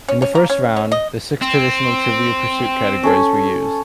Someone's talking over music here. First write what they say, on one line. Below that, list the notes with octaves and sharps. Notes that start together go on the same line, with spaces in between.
In the first round, the six traditional Trivial Pursuit categories were used.
C#4
C#4
A#3
C#4
C#4
D#5
C4
C#4 A4 C#5